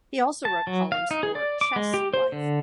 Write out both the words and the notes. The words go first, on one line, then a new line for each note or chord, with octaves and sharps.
He also wrote columns for "Chess Life".
A5
F#3
F5
D#4
G#4
D5
D6
G#3
G4
C5
D3